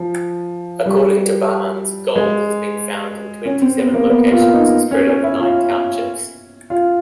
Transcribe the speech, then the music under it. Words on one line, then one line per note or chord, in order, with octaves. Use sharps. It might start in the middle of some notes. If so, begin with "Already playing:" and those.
According to Barnes, gold has been found in twenty-seven locations spread over nine townships.
Already playing: F3
G3
G#3
C#4
C4
B3
A#3
B3
F4
D#4
C#4
C#4
E4
F4
F4